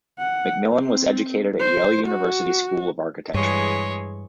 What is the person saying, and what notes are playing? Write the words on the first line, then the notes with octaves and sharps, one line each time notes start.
McMillan was educated at Yale University School of Architecture.
F#5
C4
C5
F#4
G2 E3 G#3 G#4 C#5